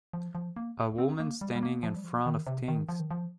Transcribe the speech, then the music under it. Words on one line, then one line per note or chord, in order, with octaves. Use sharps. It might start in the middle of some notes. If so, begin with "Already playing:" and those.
A woman standing in front of things.
F3
F3
A#3
C4
A#3
G3
G3
A#3
F3
G3
F3
D#3
C3
D#3
F3
D#3
F3